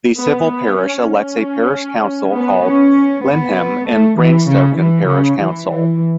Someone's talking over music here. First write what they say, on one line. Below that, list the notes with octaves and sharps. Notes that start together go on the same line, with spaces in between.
The civil parish elects a parish council called Lyneham and Bradenstoke Parish Council.
B3
B3
C#4
C#4
B3
C#4
B3
A3
E3
C#3
E3
C#3
E3
E3